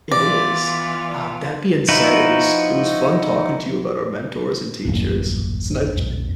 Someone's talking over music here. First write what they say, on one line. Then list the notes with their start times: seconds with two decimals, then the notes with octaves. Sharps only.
It is. Uh, that being said, it was it was fun talking to you about our mentors and teachers. It's nice chatting
0.11 E3 B3 F4 D5
1.88 F3 D#4 E4 F#4 B4
4.85 D#1 A1 F#2 A#3
5.96 B1 F2